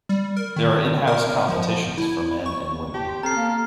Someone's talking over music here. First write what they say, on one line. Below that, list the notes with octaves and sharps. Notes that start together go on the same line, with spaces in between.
There are in-house competitions for men and women.
G3
A#4
D#3
A#4
F3
E4
C#6
G4 A5
C6
C4 A4 A#5 F6 C7
A#3